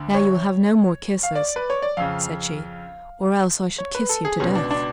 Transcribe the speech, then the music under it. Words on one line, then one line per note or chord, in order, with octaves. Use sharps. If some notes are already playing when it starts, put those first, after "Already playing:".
"Now you will have no more kisses," said she, "or else I should kiss you to death!"
Already playing: D2 D3
C#5
F5
D5
B4
C#5
D5
F2 C#3 F5
C#5
B4
A4
G#4
C#2 B2 C#4
D4
D4